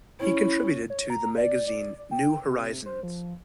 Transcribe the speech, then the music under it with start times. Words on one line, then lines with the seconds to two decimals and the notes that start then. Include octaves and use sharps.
He contributed to the magazine "New Horizons".
0.20 C#4 E4
0.90 C#5
1.10 A#5
1.37 D5
1.67 D5
2.11 G5
2.47 C3
2.86 C5
3.03 F3